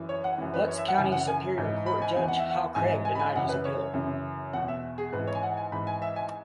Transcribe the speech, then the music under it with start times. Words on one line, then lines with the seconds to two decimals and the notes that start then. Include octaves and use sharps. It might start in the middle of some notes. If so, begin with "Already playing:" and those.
Butts County Superior Court judge Hal Craig denied his appeal.
Already playing: F#2 E3
0.09 C#5
0.24 F#5
0.38 F#2 E3
0.54 B4
0.68 C#5
0.78 E5
0.88 F#5
0.98 F#2 C#3 E3 G#5
1.12 F#5
1.27 G#5
1.57 G#2 E3
1.86 B5
2.02 G#5
2.16 E2 E3 G#5
2.28 F#5
2.39 E5
2.50 F#5
2.75 G#2 E3 G#5
3.05 G#5
3.15 B5
3.19 G#5
3.35 F#2 C#3 E3 F#5
3.49 B4
3.65 C#5
3.94 F#2 C#3 E3
4.53 E2 F#5
4.57 B2
4.68 E5
4.98 G#4
5.12 G#2 B4
5.17 E3
5.27 C#5
5.35 G#5
5.43 F#5
5.57 G#5
5.72 G#2 E3 B5
5.87 G#5
6.02 E5
6.16 G#5